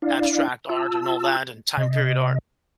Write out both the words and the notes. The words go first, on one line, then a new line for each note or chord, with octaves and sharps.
abstract art and all that and time period art.
D4 E4 D5 F5
F4 A5 E6
C3 D#5